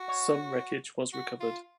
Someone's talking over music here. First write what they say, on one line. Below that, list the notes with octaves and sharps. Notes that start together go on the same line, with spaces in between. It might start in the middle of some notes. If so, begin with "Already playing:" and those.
Some wreckage was recovered.
Already playing: F#4
C#5
F#4
F4